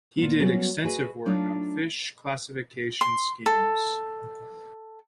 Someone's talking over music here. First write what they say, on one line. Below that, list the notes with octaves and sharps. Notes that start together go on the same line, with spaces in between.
He did extensive work on fish classification schemes.
A#2 B3
F#3 G3 B3 C#4 F#4 A#4
F#4 G#4 B4 C5 D#5 E5
F#3 A3 D4 D#4 F4 F5
C6
A4